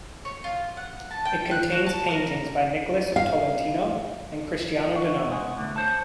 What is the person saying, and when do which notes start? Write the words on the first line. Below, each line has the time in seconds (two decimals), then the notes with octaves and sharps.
It contains paintings by Nicholas of Tolentino and Cristiano Danona.
0.25 C#5
0.44 F4
0.77 F#5
1.11 A5
1.25 G5
1.51 F#6
1.72 F#4
1.86 A5
2.11 A#4
3.16 F5
4.95 F#4
5.29 B2 G#3 F#5 G#5
5.57 A2 D3 A3
5.76 C5 C#5 A5